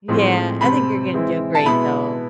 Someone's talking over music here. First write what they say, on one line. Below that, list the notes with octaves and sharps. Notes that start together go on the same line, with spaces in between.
Yeah, I think you're gonna do great though.
A2 F3 G#3 C4
C3 G#3 C4 B5
E3 G#3 C4 E4
A5
B2 G#3 B3 E4 B5